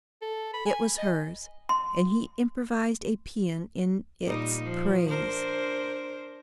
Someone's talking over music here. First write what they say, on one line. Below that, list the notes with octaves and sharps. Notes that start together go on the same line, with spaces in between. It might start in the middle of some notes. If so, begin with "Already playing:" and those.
It was hers; and he improvised a paean in its praise.
A4
B5
G#5
D#5
C6
A#2 G3 D#4
F3
D4 A#4 C5